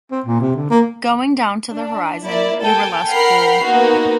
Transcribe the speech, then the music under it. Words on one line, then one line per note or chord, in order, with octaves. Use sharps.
Going down to the horizon, you were less cruel.
C4
A#2
C3
D3
A#3
D4
A#3 E4 D5
A4 G5 G#5
A#4 F#5 G5 B5 F6 C7
A#3 B3 D#4 F#4